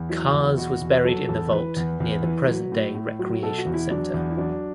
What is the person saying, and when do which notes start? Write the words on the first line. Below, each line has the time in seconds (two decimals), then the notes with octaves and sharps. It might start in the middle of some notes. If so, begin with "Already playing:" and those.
Carss was buried in the vault near the present day recreation centre.
Already playing: E2
0.09 F#3 E4
0.34 E2
0.57 B2 F#4
0.81 E2
1.04 F#3 A4
1.28 E2 A4
1.52 E3 B4
1.76 E2
2.00 E2
2.24 E3
2.47 F#3
2.72 A2
2.94 A2
3.19 F#3
3.42 B2 A4
3.58 F#4
3.66 E2
3.74 E4
3.91 F#3 D4
4.14 E2
4.31 E4
4.37 F#3 D4